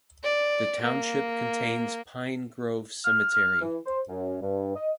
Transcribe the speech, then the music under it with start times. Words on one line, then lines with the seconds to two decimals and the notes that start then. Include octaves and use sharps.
The township contains Pine Grove Cemetery.
0.23 D5
0.81 A#3
3.04 F6
3.61 E3
3.86 C5
4.09 F#2
4.41 G2
4.75 D#5